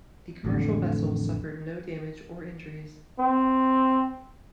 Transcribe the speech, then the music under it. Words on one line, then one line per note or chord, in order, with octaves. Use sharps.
The commercial vessel suffered no damage or injuries.
A1 F2 D3 A3
C4